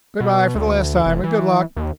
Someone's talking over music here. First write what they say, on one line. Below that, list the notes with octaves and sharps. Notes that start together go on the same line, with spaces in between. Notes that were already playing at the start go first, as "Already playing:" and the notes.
"Good-by for the last time, and good luck."
B2
D2
F1
E3
D#2